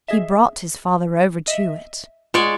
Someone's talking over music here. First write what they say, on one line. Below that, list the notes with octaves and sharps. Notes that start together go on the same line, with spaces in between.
He brought his father over to it.
G#4 D#5 E5
D#5 E5
G#3 F4 C#5 D5 F#5